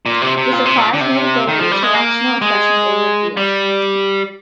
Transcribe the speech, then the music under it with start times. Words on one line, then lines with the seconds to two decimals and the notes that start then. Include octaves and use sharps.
This applies notably to rational expressions over a field.
0.06 A#2
0.22 C3
0.37 C3
0.52 A#2
0.65 C3
0.77 A#2
0.93 D3
1.01 C3
1.48 D#3
1.60 F3
1.72 G3
1.83 G#3
1.94 A#3
2.42 G#3
3.37 G3